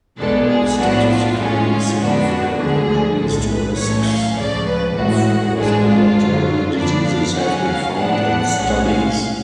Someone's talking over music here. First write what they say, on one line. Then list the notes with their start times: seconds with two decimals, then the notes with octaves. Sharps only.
No statistically significant increased risks of respiratory diseases have been found in studies.
0.19 B1 B2 G#3 B3 D4 A4
0.49 G#4
0.79 A2 F3 B3 D4 F#4
1.09 F4
1.39 A2 G#3 C#4
1.69 F4
1.99 F2 D3 G#3 B3 D4 F#4
2.59 D2 D3 F3 G#3 G#4
3.19 B1 A2 G#3 A4
3.49 B4
3.78 A1 A2 F#3 A3 C#4 C#5
4.08 F5
4.38 C#2 C#3 F3 D5
4.68 B4
4.98 A1 A2 G#3 F#4
5.57 A1 G#2 G#3 D4 G#4
5.88 F4
6.17 F#2 D3 F#3
6.77 F#2 D3 F3 B3 D4 D5
7.07 F5
7.37 C#2 C#3 F#3 C#4 F#5
7.67 F5
7.97 A2 F3 B3 D4 F#5
8.57 B1 A2 G#3 C#4
8.87 F5